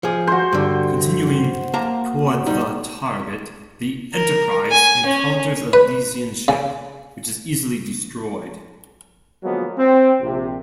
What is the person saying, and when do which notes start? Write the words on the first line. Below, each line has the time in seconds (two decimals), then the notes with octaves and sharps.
Continuing toward the target, the "Enterprise" encounters a Lysian ship, which is easily destroyed.
0.03 F3 G#4
0.27 F#4 C5
0.53 G2 D3
1.74 A#3 A5 A#5
2.46 G3 D#4
4.14 A#4
4.72 G#5
5.06 C#4
5.73 B4
6.48 C#3
9.43 D3 F3 F#3 G#3 A#3 B3
9.78 C4
10.21 A#1 C3